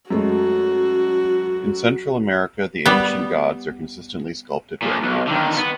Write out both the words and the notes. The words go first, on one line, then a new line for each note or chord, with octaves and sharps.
In Central America the ancient gods are consistently sculpted wearing aprons.
F#2 G#3 A3 F#4
G3 B3
A#2 F3
B1
D3 D#3
B3